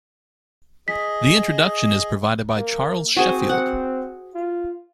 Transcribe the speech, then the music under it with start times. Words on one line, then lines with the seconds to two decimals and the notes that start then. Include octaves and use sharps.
The introduction is provided by Charles Sheffield.
0.88 G#4 D#5 B6
2.56 A#3
3.17 C4 F#4 G#4 C5
3.49 F#5
4.35 F4